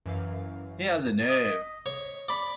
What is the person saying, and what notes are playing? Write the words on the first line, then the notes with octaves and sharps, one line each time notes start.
He has a nerve.
F#2 E3 F5
D#5 B6
C#5
D5 B5